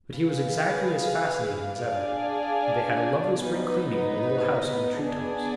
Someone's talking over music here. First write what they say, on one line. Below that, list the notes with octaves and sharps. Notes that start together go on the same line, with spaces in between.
But he was exactly as fascinating as ever, and they had a lovely spring cleaning in the little house on the tree tops.
G#4 B4 F5
D4 G#4 D5 F5 G#5
B3 D#4 B4
B3 D4 G#4 D5 G#5